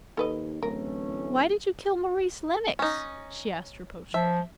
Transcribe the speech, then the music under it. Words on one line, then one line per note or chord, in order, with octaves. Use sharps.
"Why did you kill MAURICE LENNOX?" she asked reproachfully.
D#2 A4 B4 D#5
D1 E3 A3 C#4 A#4
C#4 D#4
F3 E5